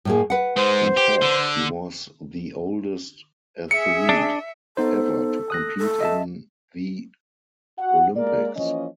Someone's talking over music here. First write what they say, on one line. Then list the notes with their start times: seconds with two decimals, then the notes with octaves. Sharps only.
In fact, he was the oldest athlete ever to compete in the Olympics.
0.05 A2 A#3 G#4
0.30 B4 F#5
0.56 G#2 G#3 C5
0.97 G4
1.22 D3
3.71 G#4 E5 C#7
4.09 D4
4.77 B3 D#4 A4 C5
5.50 D#6 F#6 A#6
5.78 A4
6.01 D#5 E5 A5
7.79 F#4 F#5
8.16 G#3 A#3 A#4 D5
8.56 E3 F3 A#3 C#4 D#5